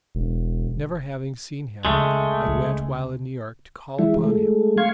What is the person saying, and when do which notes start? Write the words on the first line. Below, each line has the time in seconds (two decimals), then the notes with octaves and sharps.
Never having seen him, I went while in New York to call upon him.
0.15 E1
1.85 C#2 G#3 A3
2.46 C#2
3.99 E3 G#3 E4
4.24 G#3 A3
4.78 F5 C6 C#6 G#6